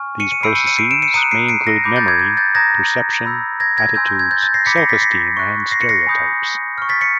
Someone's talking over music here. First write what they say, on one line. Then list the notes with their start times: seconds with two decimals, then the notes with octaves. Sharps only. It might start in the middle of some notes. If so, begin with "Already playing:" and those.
These processes may include memory, perception, attitudes, self-esteem, and stereotypes.
Already playing: G#5 C#6 F6
0.20 C#7 D#7
0.32 C#7 D#7
0.43 B5 E6 G6 C7 D7
0.55 C#7 D#7
0.67 C#7 D#7
0.78 C7 D7
0.91 D7 E7
1.02 C#7 D#7
1.14 A#5 D#6 F#6 C#7 D#7
1.31 C7 D7
1.49 C7 D7
1.67 A#6 C7
1.84 B5 D6 G6
1.96 G6 A6
2.08 G#6
2.19 G#6
2.37 G6 A6
2.55 A#5 D#6 F#6 G#6 A#6
3.26 B5 E6 G6
3.60 G#6 A#6
3.77 G#6 A#6
3.95 G#5 C6 E6 G6 G#6
4.07 G6
4.19 G#6
4.31 G6 A6
4.42 G6 A6
4.54 A#6 C7
4.66 B5 D6 G6 B6 C#7
4.78 A#6 C7
4.89 A6 B6
5.01 A#6 C7
5.37 C#6 F#6
5.71 A#6 C7
5.81 C#7
5.89 A#6 C7
6.07 G#5 B5 D#6 G6
6.78 C#6 F6
6.89 A6 B6
7.01 B6 C#7